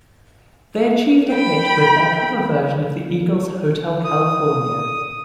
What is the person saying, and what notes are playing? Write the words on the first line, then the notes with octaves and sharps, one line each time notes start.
They achieved a hit with their cover version of The Eagles' "Hotel California".
G5 B5
D#6